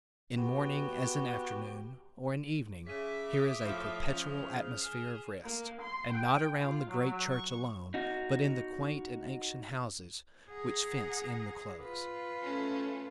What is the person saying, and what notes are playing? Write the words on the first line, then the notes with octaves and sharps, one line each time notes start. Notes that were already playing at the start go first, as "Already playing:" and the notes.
In morning, as in afternoon, or in evening, here is a perpetual atmosphere of rest; and not around the great church alone, but in the quaint and ancient houses which fence in the Close.
B3 F#4 G4
C#3 E5 D6 B6 D#7
D#6 C#7 G7
A2 F3
C#3 F3 F6 C#7 F7
G#4 F6 C7 E7
A#3
C6
G5
F4
F#3
C#6
D#4 F#4
G#4 F#5 A#5
F4 B4
A3 C#4